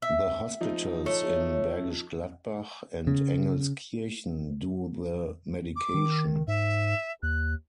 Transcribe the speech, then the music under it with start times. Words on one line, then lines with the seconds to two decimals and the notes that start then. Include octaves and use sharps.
The hospitals in Bergisch Gladbach and Engelskirchen do the medication.
0.02 E5
0.61 F3 D#4
1.06 A3 C#5
3.07 C#3
5.76 D6
5.94 D#3
6.48 G#2 E5
7.23 D#2 F#6